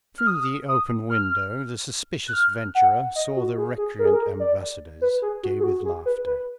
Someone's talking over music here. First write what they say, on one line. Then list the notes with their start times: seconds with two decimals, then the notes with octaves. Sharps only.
Through the open window the suspicious venturer saw the recreant ambassadors, gay with laughter.
0.18 F6
0.27 D#6
0.68 D#6
1.10 F6
2.28 F#6
2.33 F6
2.75 F#5
3.16 D#5
3.37 F#4
3.58 G#4
3.78 G#4
3.99 A#4
4.05 G#4
4.13 A#4
4.40 D5
5.01 B4
5.22 G#4
5.43 F#4
5.60 G#4
5.64 F#4
5.85 G#4
6.06 B4
6.26 B4